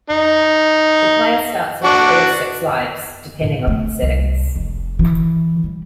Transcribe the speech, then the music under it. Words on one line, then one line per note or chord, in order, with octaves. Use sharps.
The player starts with three or six lives, depending on the settings.
D#4
D4 F#4
A2
A3
C2
F1
E3
G3